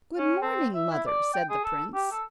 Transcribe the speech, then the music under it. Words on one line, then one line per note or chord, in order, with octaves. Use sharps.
'Good-morning, mother,' said the prince.
C#4
C4
E5
E4
D5
G5
G#4
A4
G4
A4